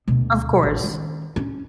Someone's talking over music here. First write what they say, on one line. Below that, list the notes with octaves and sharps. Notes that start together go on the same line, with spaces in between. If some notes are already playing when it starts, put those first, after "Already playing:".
Of course.
D2 B2
A1
D#3 C#4
C#4